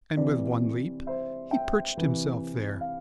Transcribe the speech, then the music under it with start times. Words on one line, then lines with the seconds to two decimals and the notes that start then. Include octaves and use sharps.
And with one leap, he perched himself there.
0.17 C3 E3 D5
1.07 C5 E5
1.51 E5 G5
1.97 C3 E3
2.81 F5